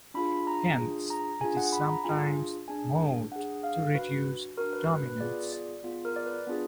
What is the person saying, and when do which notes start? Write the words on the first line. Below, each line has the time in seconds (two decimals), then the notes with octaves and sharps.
Hence, it is sometimes mowed to reduce dominance.
0.14 D4 F4 G#4 B5
0.47 A#5
0.78 D4 F4 G#4
1.10 A#5
1.41 D4 F4 G#4 G#5
1.57 F#5
1.72 B5
1.89 A#5
2.04 D4 F4 G#4 G#5
2.68 D4 G#4 G#5
3.31 D4 G#4 F#5
3.63 F5
3.94 D4 F#4 B4
4.58 D4 F#4 A#4
4.73 B4
4.89 B4
5.06 B4
5.20 B3 F4 G#4 D5
5.52 D5
5.84 B3 F4 G#4
6.05 A#4
6.16 D5
6.26 B4
6.47 B3 D4 F4 G#4